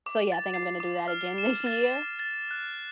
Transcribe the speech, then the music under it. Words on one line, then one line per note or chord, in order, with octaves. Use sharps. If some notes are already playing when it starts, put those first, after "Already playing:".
So yeah, I think I'm gonna do that again this year,
D6
A6
C7
D6
F6
E7
A6
A6
F#6